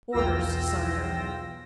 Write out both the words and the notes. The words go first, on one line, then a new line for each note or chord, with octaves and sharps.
"Orders, Sire."
B1 E2 F4 G5 E6 A#6